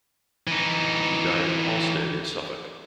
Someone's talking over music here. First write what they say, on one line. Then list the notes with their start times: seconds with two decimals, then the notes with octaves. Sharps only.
He died at Polstead in Suffolk.
0.47 E3 D#4